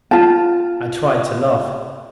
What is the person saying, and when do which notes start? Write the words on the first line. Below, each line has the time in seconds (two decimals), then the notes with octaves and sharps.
I tried to laugh.
0.11 F4 A5